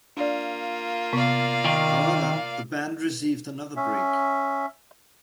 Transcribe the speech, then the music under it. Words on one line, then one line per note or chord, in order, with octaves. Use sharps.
However, the band received another break.
A#3 D4 F4 D5
C3 B3 D5 F5
D#3
C#4 E5